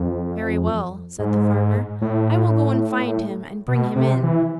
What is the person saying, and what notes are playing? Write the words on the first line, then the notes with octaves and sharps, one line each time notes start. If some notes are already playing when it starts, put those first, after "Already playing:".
"Very well," said the farmer; "I will go and find him, and bring him in."
Already playing: F2
G#2
A2
B2
C3
E3